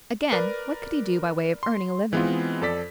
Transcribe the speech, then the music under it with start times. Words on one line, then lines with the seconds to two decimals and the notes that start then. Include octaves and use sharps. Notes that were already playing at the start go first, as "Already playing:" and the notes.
Again, what could he do by way of earning a living?
0.32 A#4 B4 D5
1.63 C6
2.13 E3 G#3 B3 C4 F4
2.62 F2 A4 D5 B6